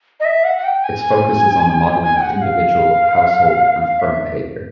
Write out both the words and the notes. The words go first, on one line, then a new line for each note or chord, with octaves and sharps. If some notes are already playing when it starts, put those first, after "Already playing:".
Its focus is on the modelling of individual, household and firm behaviour.
D#5
E5
F#5
F#5
G5
G#5
G#5
G5
F#5
F5
F5
E5